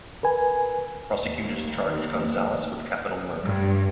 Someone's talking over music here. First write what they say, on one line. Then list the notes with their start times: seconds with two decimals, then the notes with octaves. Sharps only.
Prosecutors charged Gonzales with capital murder.
0.23 A#4 B4 G#5
1.22 D#2
3.43 G2